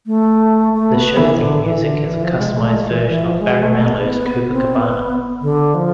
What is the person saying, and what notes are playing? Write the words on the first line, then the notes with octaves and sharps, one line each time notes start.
The show theme music is a customised version of Barry Manilow's "Copacabana".
A3
A3
B3
E3
E3
D3
E3
D3
E3
F3
G#3
A3
G#3
E3
E3
F3
G#3
A3
B3
B3
B3
C4
B3
D3
F3